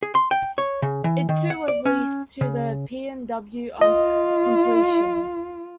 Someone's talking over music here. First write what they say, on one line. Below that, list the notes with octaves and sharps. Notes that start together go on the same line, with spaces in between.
It too was leased to the P and W, on completion.
G#4
C6
G5
C#5
C#3
E3
D#3
F#5
D5
C#4
C#3
F4 D#5